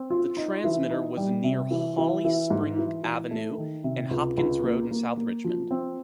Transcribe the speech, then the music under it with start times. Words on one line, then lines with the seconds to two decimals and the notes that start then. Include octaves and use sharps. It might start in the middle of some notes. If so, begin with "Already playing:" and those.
The transmitter was near Holly Spring Avenue and Hopkins Road in South Richmond.
Already playing: C4
0.10 F4
0.37 D#4
0.64 E3
0.90 D#4
1.17 G3
1.44 C3
1.71 E3
1.98 E3
2.25 E3
2.50 G#2
2.78 E3
3.03 E3
3.31 A3
3.58 D#3
3.84 C3
4.11 C#2
4.37 C#2
4.63 A#3
4.91 A#3
5.17 A#3
5.44 F3
5.71 C4